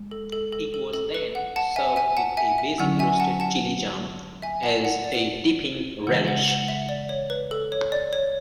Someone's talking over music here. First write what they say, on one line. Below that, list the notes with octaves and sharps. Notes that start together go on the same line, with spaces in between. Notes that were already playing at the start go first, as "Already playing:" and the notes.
It was then served with a basic roasted chili jam as a dipping relish.
Already playing: G#3
A4
A4
A4
A4
A4
B4
F#5
F#5 A5
E5 G#5
E5 G#5
F#5 A5
E5 G#5
E5
D3 F#3 C#4 E4 F#5
E5 G#5
F#5 A5
F#5 A5
E5 G#5
F#5 A5
F#5
D5
C#3 E3 G#3 F#5
F#5
F#5
E5
D5
C#5
B4
A4
C#5
D5
C#5